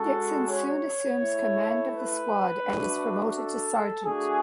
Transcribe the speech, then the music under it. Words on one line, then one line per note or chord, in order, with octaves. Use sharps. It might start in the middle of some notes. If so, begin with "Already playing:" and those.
Dixon soon assumes command of the squad and is promoted to sergeant.
Already playing: G#3 C#4 F#4 A4
C#5
A3 E4
B4
A3 D4 F#4
A4
A3 D4 F#4 G#4